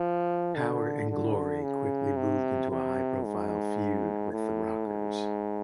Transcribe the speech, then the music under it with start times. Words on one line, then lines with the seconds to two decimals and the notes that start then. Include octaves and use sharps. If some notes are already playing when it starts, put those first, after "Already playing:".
Power and Glory quickly moved into a high-profile feud with The Rockers.
Already playing: F3
0.55 D3
1.10 D3
1.62 C#3
2.17 C3
2.70 C3
3.25 G#2
4.32 A2
4.86 G#2